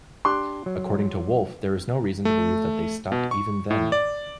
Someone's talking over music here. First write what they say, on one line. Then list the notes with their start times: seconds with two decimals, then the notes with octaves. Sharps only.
According to Wolf, there is no reason to believe that they stopped even then.
0.25 D4 G4 C6 D6 F#6
0.66 F#3
2.25 A3
3.12 B2
3.31 C#6
3.70 A2
3.92 D5